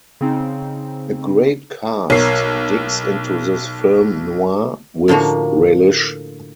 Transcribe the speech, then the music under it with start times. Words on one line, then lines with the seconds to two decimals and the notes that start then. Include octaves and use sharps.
A great cast digs into this film noir with relish.
0.21 C#3 C4 D#4
2.10 B1 A#4 C#5 C7
5.08 A2 D3 F3 A#3 F#4